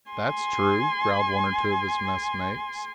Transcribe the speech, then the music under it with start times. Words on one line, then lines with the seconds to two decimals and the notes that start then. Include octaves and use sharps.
"That's true," growled one or two of his messmates.
0.11 G#5 C6